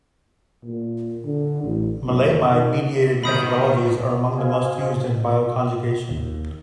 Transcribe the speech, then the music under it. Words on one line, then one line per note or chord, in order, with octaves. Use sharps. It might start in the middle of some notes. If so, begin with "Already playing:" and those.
Maleimide-mediated methodologies are among the most used in bioconjugation.
A#2
D3
A1
F#1
D#3
B2 D#3 B5 D#6 G6
F#4 C5 D#5 F5 G#5
D#2